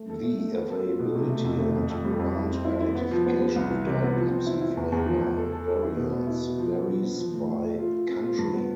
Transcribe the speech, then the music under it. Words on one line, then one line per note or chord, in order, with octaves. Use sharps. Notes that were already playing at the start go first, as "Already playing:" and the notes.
The availability and brand identification of Diet Pepsi flavor variants varies by country.
Already playing: A3
A4
A3
A3
B3
A4
F4
B2
C3
A3
F2
A3
F2
F2
G3
F2
E4
C4
E4
E4
B3
F3
B3
B3
C2
E3
C3
B3
F3
C4
E4
E4
E2
E2
F3
E2
A4
A4
A4
E4
B2
B3
E4
B2
F3
B3
F3
B3
F3
A2
A2
A3
F4
F4
C4
F4
G2
B3